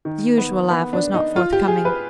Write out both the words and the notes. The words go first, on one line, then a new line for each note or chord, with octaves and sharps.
The usual laugh was not forthcoming.
D#3
B3
B3
D4
D#4
F4
G4
G#4
B4